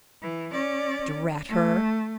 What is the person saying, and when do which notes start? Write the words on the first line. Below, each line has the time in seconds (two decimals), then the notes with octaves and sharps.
Drat her!
0.22 E3
0.52 C#4 D5
1.49 A3